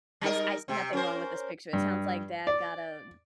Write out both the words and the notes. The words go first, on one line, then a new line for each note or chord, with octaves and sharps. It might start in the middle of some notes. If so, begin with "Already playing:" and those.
I s I see nothing wrong with this picture. It sounds like dad got a
G3 D#4 A#4
C3 C4
C#4 A#4 C5
G2
D5